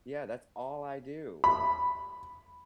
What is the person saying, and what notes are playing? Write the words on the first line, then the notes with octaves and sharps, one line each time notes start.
Yeah. That's all I do.
B5